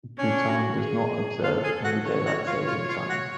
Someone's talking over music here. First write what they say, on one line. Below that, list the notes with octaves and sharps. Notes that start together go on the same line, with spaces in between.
Bhutan does not observe any Daylight saving time.
C#4 D4 C#5
F#4
G#4
F4 A4 F5
G#4 G#5
F#4 F#5
C#5
F#4 F#5
F4 F5
F4 F5
F4 F5
F#4 F#5